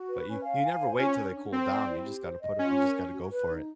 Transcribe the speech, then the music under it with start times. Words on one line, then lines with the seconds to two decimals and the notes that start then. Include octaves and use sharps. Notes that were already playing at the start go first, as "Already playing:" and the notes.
but you you never wait till they cool down, you just gotta put it you just gotta go for it.
Already playing: F#4
0.09 B4
0.27 C#4
0.45 F5
0.63 G#5
0.81 C5
0.98 C#4 F4
1.17 A#4
1.34 D4
1.52 C4 A4
1.70 D5
1.88 E4
2.05 G4
2.23 C5
2.41 D#5
2.59 C#4 F4
2.77 A#4
2.95 C#4
3.12 F#4
3.30 B4
3.48 D#4